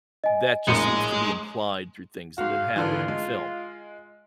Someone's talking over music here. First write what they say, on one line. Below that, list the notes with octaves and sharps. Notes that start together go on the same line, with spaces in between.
That just seems to be implied through things that happened in the film
D#5 G#5
A#1 A2 G#3 C#7
G#2 F#4 F5
G#1 D3 E3 F4
G#3